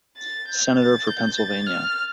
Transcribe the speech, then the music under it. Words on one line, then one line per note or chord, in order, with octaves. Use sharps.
Senator for Pennsylvania.
A6
G6
A6
G6
A6
F6